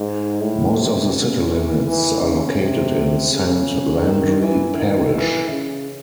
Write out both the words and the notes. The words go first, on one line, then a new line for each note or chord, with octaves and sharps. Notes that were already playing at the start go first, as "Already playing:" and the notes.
Most of the city limits are located in Saint Landry parish.
Already playing: G#2
A2
C3
C#3
E3
E3
C#3
C3
C#3
D#3
E3
D#3
E3
C#3